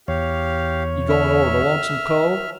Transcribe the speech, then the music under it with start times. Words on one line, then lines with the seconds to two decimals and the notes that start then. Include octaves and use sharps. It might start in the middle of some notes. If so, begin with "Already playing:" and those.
"You goin' over to Lonesome Cove?"
0.08 E2 G4 C#5 F5
1.09 E5 F6